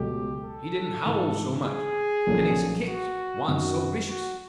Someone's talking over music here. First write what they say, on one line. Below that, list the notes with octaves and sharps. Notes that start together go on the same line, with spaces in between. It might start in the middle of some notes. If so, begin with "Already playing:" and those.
He didn't howl so much, and his kicks wa'n't so vicious.
Already playing: C#2 B2 F#3 A3 G4
A4
G#2 E3 A3
G#4
B1 A#2 F3 A3 C#4
F#4
F#2 D#3 F#3 F#4
F#4